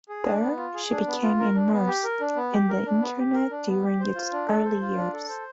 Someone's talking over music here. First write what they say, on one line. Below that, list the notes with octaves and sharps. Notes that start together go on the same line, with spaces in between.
There she became immersed in the internet during its early years.
G#4
D4
B3
F4
G#4
D4
B3
F4
A#4
D4
B3
G4
A#4
D4
B3
G4
A#4
D4
B3
G4
A#4
D4
B3
G4
C5
F4
D4
A4
C5
F4
D4
A4
C5